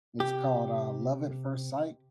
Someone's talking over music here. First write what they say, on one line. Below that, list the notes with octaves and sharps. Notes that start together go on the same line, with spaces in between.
It's called, uh, Love at First Sight
C3 G4